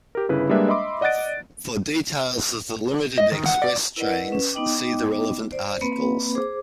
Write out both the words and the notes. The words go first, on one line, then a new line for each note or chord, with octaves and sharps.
For details of the limited express trains, see the relevant articles.
G4 A#4
G1 C#3 E4 B4
G3 G#3 A#3 D4 B4 E5
D#5 E5 B5 C6 D6
D5 D#5 F#5 F#6 A6 D7
D#5
D#3
F#5
D5
E4 A#4 B4 D5 D#5 F#5
C#4 B4
B3 D#4 D#5 G5 D6
C5 D5
A#3 C4 B4 B5
G#4 C5 D6